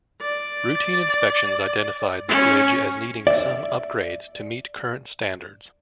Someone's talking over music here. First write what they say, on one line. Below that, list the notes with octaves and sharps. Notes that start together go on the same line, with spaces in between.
Routine inspections identified the bridge as needing some upgrades to meet current standards.
D5
C#4
D5 E5